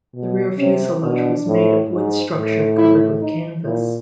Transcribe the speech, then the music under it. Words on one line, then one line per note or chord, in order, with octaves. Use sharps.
The rear fuselage was made of wood structure covered with canvas.
B2
C3 C#4
B2 D4
A2
G#2
A2
E4
D#4
A#2 E4